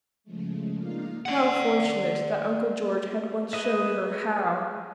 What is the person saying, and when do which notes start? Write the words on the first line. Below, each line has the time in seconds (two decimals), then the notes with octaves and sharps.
How fortunate that Uncle George had once shown her how!
0.24 C#3 F3 G#3 A3
0.77 A#3 D4 D#4 F4 F5
1.26 D5 F#5
3.53 G#4 B4 D#5 E5